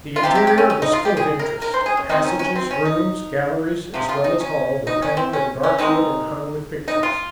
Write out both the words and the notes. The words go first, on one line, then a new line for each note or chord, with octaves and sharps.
The interior was full of interest--passages, rooms, galleries, as well as hall, were panelled in dark wood and hung with pictures.
F4
C3 G3 C4 G4
G4
G4
C#4
C#4
D#4
F4
G4
G#4
A#4
A#4
C5
G#4
C#4
D#3 G3 C4 D#4
C#4
C#4
C4
C#4
D#4
C3 F3 G#3 G4
F4
D#4
C#4
D#4
C#4
C4
C#4
C#4
D#3 G#3 C4 D#4
D#4
F4